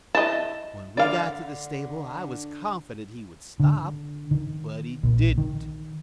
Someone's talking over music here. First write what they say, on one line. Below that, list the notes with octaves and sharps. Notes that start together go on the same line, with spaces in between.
When we got to the stable I was confident he would stop, but he didn't.
E4 D#5 A5
D3 D5 F5
D3
D#3
A#1
D#3